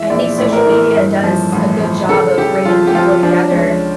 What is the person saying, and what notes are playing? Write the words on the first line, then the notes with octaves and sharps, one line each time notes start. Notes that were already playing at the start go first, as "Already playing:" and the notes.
I think social media does a good job of bringing people together
Already playing: E1 E3 E5
A#1 D5
A2 D5
A#4
E3 A#4
G2
F3
A1
F3
C#3 A4
C#3 G4
F3 F4
G4
F3 F4
F3 D4
C#2 C#4